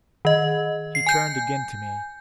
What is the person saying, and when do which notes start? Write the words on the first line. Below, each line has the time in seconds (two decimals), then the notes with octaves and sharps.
He turned again to me.
0.25 D#3 D#5
0.95 C7
1.07 G#5 G6